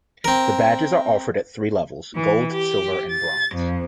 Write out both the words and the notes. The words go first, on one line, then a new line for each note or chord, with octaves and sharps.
The badges are offered at three levels: gold, silver and bronze.
C4 A#4
E3
G4
A6
F2